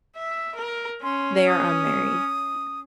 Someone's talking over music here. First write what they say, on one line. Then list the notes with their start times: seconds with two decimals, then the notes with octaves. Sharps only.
They are unmarried.
0.17 E5
0.55 A#4
1.03 C#4 C6
1.47 D#6